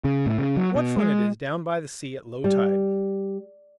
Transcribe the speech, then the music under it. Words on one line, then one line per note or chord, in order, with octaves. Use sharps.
What fun it is down by the sea at low tide!
C#3
A2
C#3
F#3
B2
G#3
G3